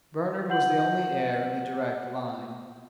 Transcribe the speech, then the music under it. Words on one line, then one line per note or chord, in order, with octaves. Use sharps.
"Bernard was the only heir in the direct line."
F4 F#5 G6 F#7